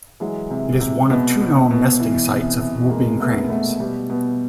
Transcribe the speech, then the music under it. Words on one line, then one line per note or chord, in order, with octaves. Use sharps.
It is one of two known nesting sites of whooping cranes.
E3 F#3 G#3
C3
C3
B2
B2
B2
E3
C3
C3
B2 G#3 A#3
B2 A3 B3
B2 A3 B3
B2 G3
B2